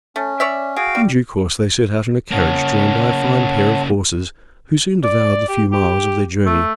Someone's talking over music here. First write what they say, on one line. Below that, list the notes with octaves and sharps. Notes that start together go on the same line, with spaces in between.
In due course, they set out in a carriage drawn by a fine pair of horses, who soon devoured the few miles of their journey.
A3 C#4
C#5 D5 E5
F#4 G#4 F5 G5
G3
C#3 A#3 C#5 F#5 A5
D5
G4
G4
A3